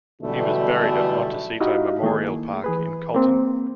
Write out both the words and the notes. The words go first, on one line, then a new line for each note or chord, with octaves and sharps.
He was buried at Montecito Memorial Park, in Colton.
B1 B2 D3 E3 G3 A3
D#4 E4 F#4 G4 D#5 F5
D#3 A3 A#3 E4 G#4
E3 G#4 B4
A#3 C4